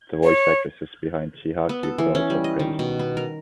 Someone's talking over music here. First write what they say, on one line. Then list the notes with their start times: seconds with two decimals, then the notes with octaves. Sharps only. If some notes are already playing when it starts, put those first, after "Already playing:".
The voice actresses behind Chiaki were also praised.
0.23 C#5
1.69 B3
1.83 A4
1.98 E3
2.15 C#4
2.30 G3
2.44 D#5
2.59 D#3
2.79 B2
2.99 B3
3.17 A#4